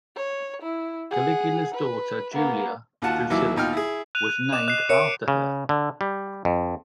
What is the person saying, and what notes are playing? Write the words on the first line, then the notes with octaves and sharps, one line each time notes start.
Caligula's daughter, Julia Drusilla was named after her.
C#5
E4
G#4 F#5
B4
A#3 B3
D#2 F4 F#4 F#5 A5
D#2 E3 F#3 E4 D6
D#2 B2 D#4 F4 G5 F6
E4 G#4
F#6 D#7 F7
D#5 D6 E7
D#5 F#6 C7
A#4 C#5 E5 C#7 D7
C#3
D3
G3
F2